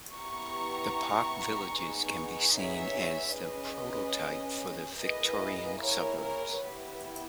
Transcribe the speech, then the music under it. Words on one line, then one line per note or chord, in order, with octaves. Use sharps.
The park Villages can be seen as the prototype for the Victorian suburbs.
B3 E4 G4 A#5 C#6
B3 D#4 G#4
C#5 E5
C#4 G#4 B4 D#5
A#3 E4 G#4 B4 D#5
A#4 C#5
A#4 C#5
B3 E4 G4 B4